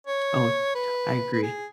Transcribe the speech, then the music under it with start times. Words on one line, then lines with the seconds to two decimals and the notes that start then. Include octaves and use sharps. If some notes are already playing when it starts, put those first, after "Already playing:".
Oh, to I agree.
0.07 C#5
0.75 B4
1.33 B4
1.43 G#4